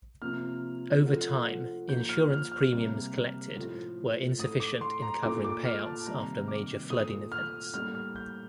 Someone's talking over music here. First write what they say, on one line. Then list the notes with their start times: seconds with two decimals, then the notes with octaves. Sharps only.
Over time, insurance premiums collected were insufficient in covering payouts after major flooding events.
0.22 C3 F3 A#3 F6
1.05 D3 F3 A3
1.89 D3 F3 A#3 G6
2.09 F6
2.30 F6
2.52 F6
2.72 C3 G3 A#3
3.56 A2 F3 A3
4.39 A2 A3 D#6
4.60 D6
4.81 C6
5.02 A#5
5.23 A#2 A3 D6
5.44 D6
5.65 F6
5.86 A5
6.06 C3 D#3 G3 A#3 A#5
6.48 D6
6.90 A#2 A3 D#6
7.32 F6
7.74 A2 G3 A#3 F6
7.95 F6
8.16 G6